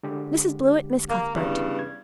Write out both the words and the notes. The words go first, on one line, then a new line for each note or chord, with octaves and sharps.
Mrs. Blewett, Miss Cuthbert.
D3 G#3 G4
A#3
E2 G2 C#3
G#6